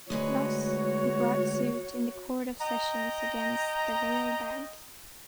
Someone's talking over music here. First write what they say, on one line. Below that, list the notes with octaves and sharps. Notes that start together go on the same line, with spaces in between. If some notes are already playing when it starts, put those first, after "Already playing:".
Thus he brought suit in the Court of Sessions against the Royal Bank.
D2 G#3 F#4 B4 C#5
D#5 G5 A#5